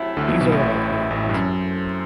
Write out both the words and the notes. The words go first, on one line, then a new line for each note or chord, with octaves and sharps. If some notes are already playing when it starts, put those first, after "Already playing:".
These are our heroines.
Already playing: C3 F#3 A3 E4
D2 D3
B1 B2
B1 B2
A1 A2
A1 A2
G2
F#2
A3 C4 E4 A4 C5